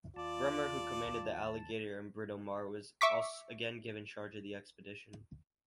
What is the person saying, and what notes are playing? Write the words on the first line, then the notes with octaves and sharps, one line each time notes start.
Bremer, who commanded the "Alligator" and "Britomart", was again given charge of the expedition.
D#2 F4 D5 A5
E5 C#6 D6 B6